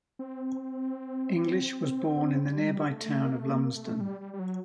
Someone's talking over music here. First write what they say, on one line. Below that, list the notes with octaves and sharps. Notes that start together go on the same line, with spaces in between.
English was born in the nearby town of Lumsden.
C4
G3
G#3
G3
A3
A3
A#3
A3
A#3
A3
G3
G3
G3
F#3